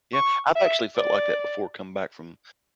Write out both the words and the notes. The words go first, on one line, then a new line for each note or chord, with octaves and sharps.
Yeah. I've actually felt like that before coming back from,
C#6
E5
D5